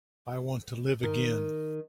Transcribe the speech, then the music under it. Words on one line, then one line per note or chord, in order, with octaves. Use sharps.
I want to live again.
D#3